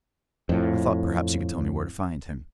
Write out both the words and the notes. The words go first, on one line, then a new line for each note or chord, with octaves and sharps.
I thought, perhaps, you could tell me where to find him.
F2 A2